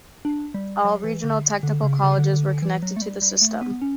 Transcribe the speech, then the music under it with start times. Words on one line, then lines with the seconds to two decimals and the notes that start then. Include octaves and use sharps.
All Regional Technical Colleges were connected to the system.
0.25 D4
0.54 G3
0.85 F#3
1.04 E3
1.24 D3
1.63 D3
1.83 C#3
2.03 C#3
2.18 D3
2.33 D3
2.48 D3
2.62 E3
2.83 F#3
2.97 A3
3.02 G3
3.22 G3
3.42 A3
3.61 B3
3.82 C#4